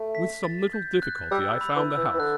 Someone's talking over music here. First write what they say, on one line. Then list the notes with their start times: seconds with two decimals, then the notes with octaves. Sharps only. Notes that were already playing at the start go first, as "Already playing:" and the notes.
With some little difficulty I found the house.
Already playing: A3
0.15 B6
0.44 A6
0.73 G6
1.02 F#6
1.31 G3 E6
1.61 B5
1.76 E3
1.90 E6
1.97 E3
2.14 E3
2.19 D3 F#6